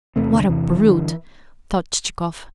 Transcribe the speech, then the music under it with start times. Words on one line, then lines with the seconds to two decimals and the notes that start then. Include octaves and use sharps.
"What a brute!" thought Chichikov.
0.16 E2 C3 A3 C4
0.33 D3
0.49 E2 C3 E3
0.82 G2 D3